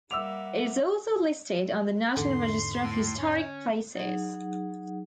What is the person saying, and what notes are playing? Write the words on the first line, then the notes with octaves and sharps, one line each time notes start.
It is also listed on the National Register of Historic Places.
G3 A#3 E5 F#5 D6 E6 F7
E2 G#2 D3 C6
A2
C#4
F#3 D#4 G#4 F#5